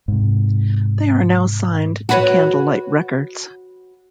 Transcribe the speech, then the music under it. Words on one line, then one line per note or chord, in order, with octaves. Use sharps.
They are now signed to Candlelight Records.
G#2 C3
F#4 B4 C#5